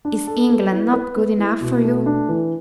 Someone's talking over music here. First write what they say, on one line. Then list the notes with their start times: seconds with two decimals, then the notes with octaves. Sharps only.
"Is England not good enough for you?"
0.05 D4
0.27 A4
0.49 B3
0.72 E4
0.94 B4
1.16 B3
1.39 E4
1.61 B2
1.84 A3
2.06 D4
2.29 E3